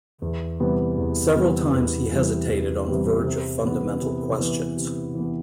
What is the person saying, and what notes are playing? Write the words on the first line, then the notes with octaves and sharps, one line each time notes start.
Several times he hesitated on the verge of fundamental questions.
E2
C3 E3 G3 B3
E2
C3 E3 G3 B3
E2
C3 E3 G3 B3
E2
C3 E3 G3 B3
C3
E3 B3
C3
E3 B3
C3
E3 B3